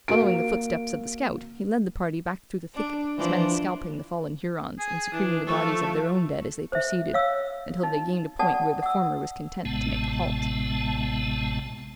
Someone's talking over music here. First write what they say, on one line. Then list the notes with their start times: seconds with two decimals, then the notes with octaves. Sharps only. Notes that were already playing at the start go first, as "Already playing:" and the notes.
Following the footsteps of the scout, he led the party back through the thicket, his men scalping the fallen Hurons and secreting the bodies of their own dead as they proceeded, until they gained a point where the former was content to make a halt.
0.08 A#3 F#4 D7
2.75 D4
3.17 E3 F3 D4
4.78 G#4 G#5
5.12 E3 D4
5.47 F3 A3 F4 A4 C#6
6.72 C5 E5
7.13 C#5 F5 E6
7.83 D#4
8.39 D5 F#5 G5 A5 D#6
8.82 F#5 E6
9.65 A1 A2 C3 G#3 B3 A5